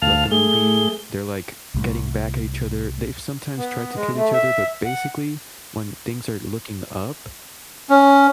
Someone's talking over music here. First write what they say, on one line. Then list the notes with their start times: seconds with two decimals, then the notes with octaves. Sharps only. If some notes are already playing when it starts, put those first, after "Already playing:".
throughout the movie, they're, like, getting back at each other they've sometimes tried to kill each other, but, basically, when things are looking up
0.02 D2 F5 A5 F7
0.31 A3 G#4 G7
1.74 C2 A2
3.58 B3
3.96 G#3
4.16 A3
4.33 E5
4.85 F#5
7.90 C#4